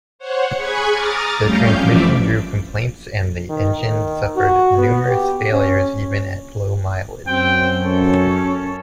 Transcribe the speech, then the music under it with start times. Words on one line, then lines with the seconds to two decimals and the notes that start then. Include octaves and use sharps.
The transmission drew complaints and the engine suffered numerous failures even at low mileage.
0.19 C5 C#5 F#5
0.57 G#4 G#5 B5 C#6 F#6 G#6
0.90 A#5 D6 D#6 F6 A6
1.41 F2 G3 A3 C#4 F5 G6
1.77 F#2 E3 F3 D5 E5 D6
3.49 D#3
3.82 D#3
4.36 F#4
4.78 B3
5.08 G4
5.52 C#4
7.28 F#2 C4 G5
7.83 C#4 A4